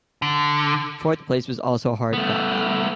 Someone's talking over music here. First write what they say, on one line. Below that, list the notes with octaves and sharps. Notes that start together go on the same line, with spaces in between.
Fourth place was also a hard fought battle.
D3
A3 B3